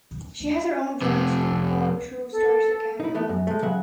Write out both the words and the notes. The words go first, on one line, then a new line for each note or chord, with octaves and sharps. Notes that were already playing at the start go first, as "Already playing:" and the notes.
She has her own drama school called True Stars Academy.
F2 C3
A4
D#4 E4
E3 A3 B3
F#2
G#3 A3
C#3 F#3 E5 F#5